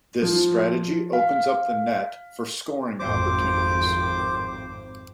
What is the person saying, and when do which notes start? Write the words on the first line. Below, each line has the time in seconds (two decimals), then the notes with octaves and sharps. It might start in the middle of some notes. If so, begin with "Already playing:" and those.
This strategy opens up the net for scoring opportunities.
0.22 F3
1.13 F5
3.00 G#1 F2 C5 D6